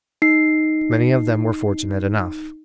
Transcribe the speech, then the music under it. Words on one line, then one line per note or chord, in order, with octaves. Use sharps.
Many of them were fortunate enough.
D#4 C7